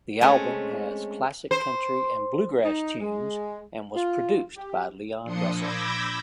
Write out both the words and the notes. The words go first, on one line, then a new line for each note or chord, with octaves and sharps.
The album has classic country and bluegrass tunes and was produced by Leon Russell.
G#3 A3 C4 C#4
C5
D#4
G#3
F4
G4
A#2 F3 D4 C6 D#6 C#7
B5 D6 E6 G6 G#6 A#6